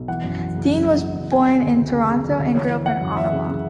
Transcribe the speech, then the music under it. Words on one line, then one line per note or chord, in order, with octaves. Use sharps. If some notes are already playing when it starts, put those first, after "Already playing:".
Dean was born in Toronto and grew up in Ottawa.
Already playing: B1
E3 F#5
F#2
E3
F#1
F#1
E3
E3
F#1
C#3 G#5
F#3
D2
D2
C#3
C#3
D2
D2
E3 C#5
E3
E3 F#5
F#2
E3 E5
C#3
C#3